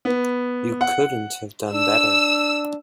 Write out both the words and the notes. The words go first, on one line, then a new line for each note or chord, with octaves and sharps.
You couldn't have done better.
B3
F#5
D4 E6